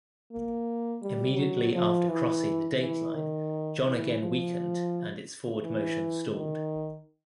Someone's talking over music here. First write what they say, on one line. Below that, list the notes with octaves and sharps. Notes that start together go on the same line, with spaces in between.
Immediately after crossing the Date Line, John again weakened and its forward motion stalled.
A#3
G3
F#3
F3
E3
E3
D#3
E3
F3
E3
D#3